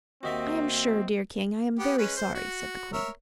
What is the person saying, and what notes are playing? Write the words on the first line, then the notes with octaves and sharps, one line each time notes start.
"I am sure, dear king, I am very sorry," said the queen.
D#2 D#3 A#3 C4 F#4 D#5 E5
B3 G4
G#3 C#4 B4
C5
F#4
A#4 C#5 E5